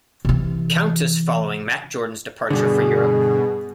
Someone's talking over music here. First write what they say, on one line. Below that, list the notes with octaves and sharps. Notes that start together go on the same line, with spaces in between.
Countess following Matt Jordan's departure for Europe.
C3 E3
G2 B2 D3 G#4